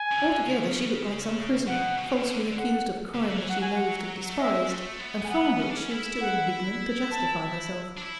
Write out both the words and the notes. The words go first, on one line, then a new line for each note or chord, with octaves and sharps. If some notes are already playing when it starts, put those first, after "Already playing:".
Altogether she looked like some prisoner, falsely accused of a crime that she loathed and despised, and from which she was too indignant to justify herself.
Already playing: G#5
C#3
D3
C#3
D3
C#3
B2 F#5
C#3
B2
C#3
D3
F#5
C#3
D3
E3
F#3 F#5
G#5
F#5
A3
G#3 E5
A3
B3
G#5
B3 F#5
C#4
D4
C#4
E4
F#5
A5
D4
E4